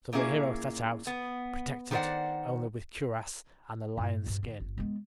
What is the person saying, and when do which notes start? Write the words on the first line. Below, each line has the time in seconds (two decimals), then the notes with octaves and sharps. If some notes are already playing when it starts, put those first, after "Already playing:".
So the hero set out, protected only with cuirass and the lion skin.
0.13 A#2 A#3 C#4 E4 G#4
1.07 B3
1.91 D#3 G4 C5 D5 F#5
3.97 G2 E4
4.26 G2 B2
4.43 D3
4.60 G1
4.78 G#3 B3